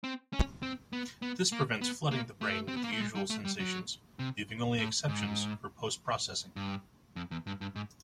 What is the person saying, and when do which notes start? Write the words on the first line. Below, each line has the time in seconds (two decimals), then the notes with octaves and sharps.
This prevents flooding the brain with the usual sensations, leaving only exceptions for post-processing.
0.04 C4
0.33 C#4
0.63 C4
0.93 B3
1.22 B3
1.52 A#3
1.81 B3
2.11 A#3
2.41 A3
2.68 C4
2.77 B3
2.84 A#3
2.92 A3
3.00 G#3
3.15 G3
3.30 A3
3.45 G3
3.60 F#3
4.19 C3
4.79 A2
5.08 G#2
6.56 G2
7.16 F2
7.31 E2
7.47 G2
7.61 G2
7.76 G#2